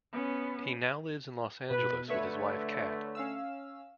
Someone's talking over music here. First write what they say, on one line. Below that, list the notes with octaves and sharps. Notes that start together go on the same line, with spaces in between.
He now lives in Los Angeles with his wife Kat.
B3 C#4
B2 B4
D3 A3 B4 C#5 E5
C#4 F5 E6